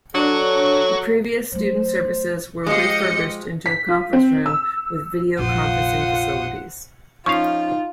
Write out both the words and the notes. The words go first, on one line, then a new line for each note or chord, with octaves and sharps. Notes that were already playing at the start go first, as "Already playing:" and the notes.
The previous Student Services were refurbished into a Conference room with video conferencing facilities.
F#3 D4 F#4 A4 C#5
F#3 A3 C5
F3 G#3 G4 D#5 C#7
B6
F4
C4
E6
F1 A#1 F4 C5 F#5 D#6
F3 C#4 D#4 F4 F5 C#6